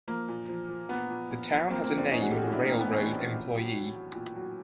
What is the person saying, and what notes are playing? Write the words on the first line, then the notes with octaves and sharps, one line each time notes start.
The town has the name of a railroad employee.
F3 A#3
A#2
F3
F3
A#2 B3
A#2
A#2
F3
F3 A#3 C4
A#3 C4
F3
C4 D4
F3 C#4 D#4
F#4 G#4
A2 G4 A4
F#4 G#4
A2 D4 E4
A#3 C4
A2
B3
A2 B3 C#4
A2
A#2
F#3
F#3
F#3
A#2
F#3